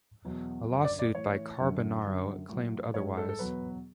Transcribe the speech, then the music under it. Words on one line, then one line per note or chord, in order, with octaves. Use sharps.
A lawsuit by Carbonaro claimed otherwise.
E2 B2 F#3
F#2 D3 F#3
D5
D5
A2 E3 C#5
F#2 D3 F#3
F#2 D3 F#3
A2 F#3
G#2 F#3 C#5
A4
A4
E2 B2 F#3 B4